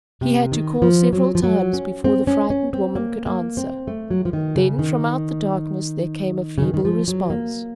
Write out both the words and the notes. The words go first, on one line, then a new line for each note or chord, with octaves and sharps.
He had to call several times before the frightened woman could answer. Then from out the darkness there came a feeble response.
C3
D#3
F3
F#3
F3
F#3
C#4
C4
C#4
C#4
C4
A#3
A#3
C4
A3
F#3
F3
D#3
C#3
D#3
C#3
D#3
D#3
F3
F#3
A#3